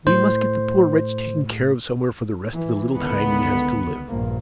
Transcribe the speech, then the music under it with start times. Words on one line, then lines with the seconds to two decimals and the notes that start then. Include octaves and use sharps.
We must get the poor wretch taken care of somewhere for the rest of the little time he has to live.
0.07 A2 C5
2.53 E3
2.96 C#2 D3 D#3 B3
4.08 A#1 G2 A#3